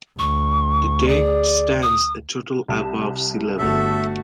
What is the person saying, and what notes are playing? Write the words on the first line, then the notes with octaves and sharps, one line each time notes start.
The deck stands a total above sea level.
D2 C#6
G#4 D5
D#6
C2 A5 E7
G1 A3 F#4 A4 E5